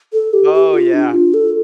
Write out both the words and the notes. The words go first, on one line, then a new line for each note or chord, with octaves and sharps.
Oh, yeah.
A4
G4
G4
F4
D4
F4
A4